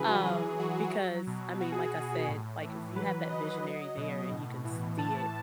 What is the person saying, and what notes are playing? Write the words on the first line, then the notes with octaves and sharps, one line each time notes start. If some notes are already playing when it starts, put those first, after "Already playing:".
um, because I mean, like I said, like, if you have that visionary there and you can s see it,
Already playing: C#3 E3 F#3 G#4 B4
F#4
F#3 G#4
F#3 F#4
F#3
B2
B2 F#4
G#4
F#4
B2 G#4
A2
E3
F#3 B4
F#3 D#5
F#3
B2
A2
E3
A2 A5